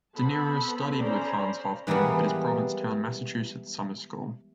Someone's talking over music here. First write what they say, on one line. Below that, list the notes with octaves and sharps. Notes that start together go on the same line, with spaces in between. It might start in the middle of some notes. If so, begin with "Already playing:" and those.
De Niro studied with Hans Hofmann at his Provincetown, Massachusetts summer school.
B3 C4 A4 A5 B5
C#4 C5 D5 A#5 B5
E3 G3 G#3 A#3 B3